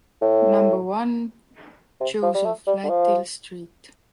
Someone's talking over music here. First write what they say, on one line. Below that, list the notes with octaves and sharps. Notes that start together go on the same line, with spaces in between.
Number one, Joseph Latil street.
A2
C3
F3
G3
A3
G3
D3
F3